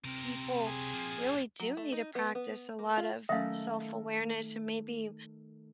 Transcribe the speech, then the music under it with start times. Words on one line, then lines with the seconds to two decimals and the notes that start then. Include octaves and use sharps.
people really do need to practice a lot of self-awareness and maybe
0.05 C3 C4 A#4
0.67 G#4
0.94 F3 A#3
1.60 F#3
1.77 A3
1.92 D#4
2.15 B3
2.35 B3
2.79 A#3
2.97 F4
3.29 D#3 F#3 A3 C#4 E5 F5